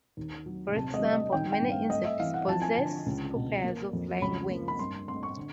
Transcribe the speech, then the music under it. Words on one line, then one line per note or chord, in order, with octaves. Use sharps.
For example, many insects possess two pairs of flying wings.
D#2
F#3
C3 A5
D#5
G3
D#5
D#3 G5
G5
G2
F5
A3 D#5
E5
E3 F5
F#5
F3 A5
G#5
D3 A5
C#2
B2
A#3
F2
C#2 B5
A#3
B5
G2 C6
A3 C6
C#6
D3